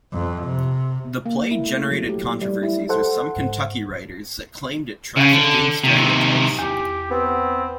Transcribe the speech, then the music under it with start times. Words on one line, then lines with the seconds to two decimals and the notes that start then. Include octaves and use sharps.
The play generated controversy with some Kentucky writers that claimed it trafficked in stereotypes.
0.13 F2
0.45 C3
1.26 A#3
1.51 E4
1.66 A3
1.91 F#3
2.09 G4
2.42 G3
2.63 E4
2.89 A4 C5 F#5
3.36 G#2
5.17 C#3
5.33 D3
5.84 C3 D#3
6.59 E2 G4
7.11 B3 C4